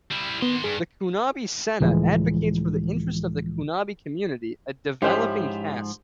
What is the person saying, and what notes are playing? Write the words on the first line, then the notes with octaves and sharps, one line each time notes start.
The Kunabi Sena advocates for the interests of the Kunabi community, a developing caste.
G3 E4
D#3 B3 C6
G2 G#4
C#2 A2 E3 F3 G#3
G#2 F3 G#3 C#4 E4 G4 C5 E5